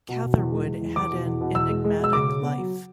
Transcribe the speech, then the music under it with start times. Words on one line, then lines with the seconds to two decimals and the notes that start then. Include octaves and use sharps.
Catherwood had an enigmatic life.
0.09 B2
0.23 B2
0.38 E2
0.52 G#3
0.67 E2
0.81 E2
0.96 E2 D6
1.11 B2
1.26 E2
1.41 B2
1.55 E2 E6
1.69 G#3
1.84 G#3
1.98 B2
2.04 E6
2.13 C#3 D6
2.29 C#3
2.42 B3
2.58 F#3